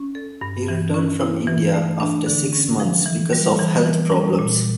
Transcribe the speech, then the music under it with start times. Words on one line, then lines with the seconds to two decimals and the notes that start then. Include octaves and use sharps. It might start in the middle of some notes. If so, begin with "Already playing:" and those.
He returned from India after six months because of health problems.
Already playing: C#4
0.15 A4
0.41 G2
0.68 E3
0.94 C#4
1.21 E4
1.47 E3
1.74 A3
2.00 D4
2.26 D3
2.53 C#4
2.80 F3
3.06 E3
3.33 G3
3.59 E3
3.86 E3
4.12 G3
4.39 A#2